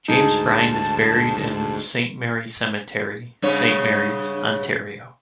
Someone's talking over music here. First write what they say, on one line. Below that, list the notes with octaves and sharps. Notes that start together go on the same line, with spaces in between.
James Brine is buried in Saint Marys Cemetery, Saint Marys, Ontario.
D2 G#2 D#4 G#4 A5
G2 C#3 C#5